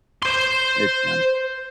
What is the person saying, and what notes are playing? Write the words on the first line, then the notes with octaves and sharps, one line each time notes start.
It can.
C5 C6